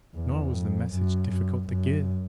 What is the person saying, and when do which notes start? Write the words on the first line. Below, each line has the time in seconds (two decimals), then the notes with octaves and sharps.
Nor was the message difficult to give.
0.15 E2
0.53 F2
0.92 F#2
1.30 F#2
1.68 F#2